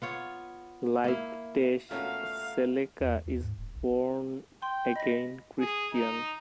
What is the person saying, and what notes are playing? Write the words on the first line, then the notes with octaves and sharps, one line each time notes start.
Like Tesh, Sellecca is a born again Christian.
B3 F4 C#5
A#3 E4
A#2 A3 B3 C#4 F#4 F5
E2
D#2
G#2
D#1
B1
G5 C6
D#5 B5 A#6
G#4
D#4